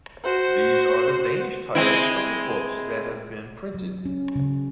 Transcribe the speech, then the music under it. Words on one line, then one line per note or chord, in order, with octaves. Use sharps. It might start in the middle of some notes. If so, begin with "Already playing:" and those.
These are the Danish titles of the books that have been printed.
F#4 C5
G#3 C4 E4
F#3
C#4
C#3